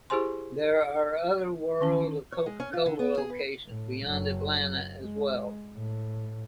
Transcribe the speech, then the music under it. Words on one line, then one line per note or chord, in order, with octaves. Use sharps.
There are other World of Coca-Cola locations beyond Atlanta as well.
E4 G4 G#4 C5 G#5 C6
D#3 C#4 A5
C#5
G#3
C#4
F4
D3
B3
G#4
B4
A2
F#1 F#3
G#3
A2